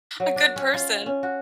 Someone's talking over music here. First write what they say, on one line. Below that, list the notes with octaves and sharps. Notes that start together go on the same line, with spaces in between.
A good person.
F#3
D4
C#4
F4
C#4
F#4